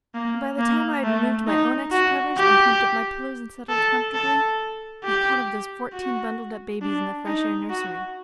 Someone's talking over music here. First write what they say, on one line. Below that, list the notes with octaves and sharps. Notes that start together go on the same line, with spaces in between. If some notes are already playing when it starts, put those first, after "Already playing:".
By the time I had removed my own extra covers and plumped up my pillow and settled comfortably, I thought of those fourteen bundled-up babies in the fresh-air nursery.
A#3
A#3
A3
D#4
F#4
G4
A4
A4
G4
F#4
D4
D#4
F#4